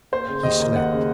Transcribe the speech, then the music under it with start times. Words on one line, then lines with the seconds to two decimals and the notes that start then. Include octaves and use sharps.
He slept.
0.12 A#3 C5
0.27 C#3
0.43 D#2 D#5
0.60 A#3
0.75 A#3 F#5
0.92 C#3